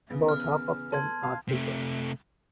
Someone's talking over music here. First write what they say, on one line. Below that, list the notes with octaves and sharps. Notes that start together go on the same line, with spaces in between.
About half of them are teachers.
C#3 E3 B3
F6
A4 A5 C6 G#6
F5
C3 A3